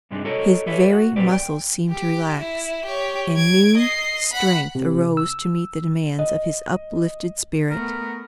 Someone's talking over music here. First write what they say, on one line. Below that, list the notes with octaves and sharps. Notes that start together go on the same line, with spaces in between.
His very muscles seemed to relax, and new strength arose to meet the demands of his uplifted spirit.
G2 C3 G3 G#3 D4 D#4
F#4 A4 A#4 C#5 D#5
G4 A4 B4 C#5 E5
F#4
A#2 A#3 C4 G4 B4 D5
G5
G4
E4
G4 C#5
G#6 D7
D#5 C7
F#5 B5
C3
E6
D#5
A3 B3 A#4